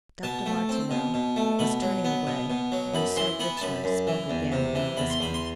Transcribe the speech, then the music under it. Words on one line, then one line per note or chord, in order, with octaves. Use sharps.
Dr. Martineau was turning away when Sir Richmond spoke again in a whisper.
B2 A5
A3
C4
B2
B2
A3
B2 B5
F#3
B3
B2
B2
F#3
F#2 B5
E3 C6
B3 B5
A5
F#2 B5
F#2
E3
E2
C3
E3
E2 B5
C6
E2 B5
C6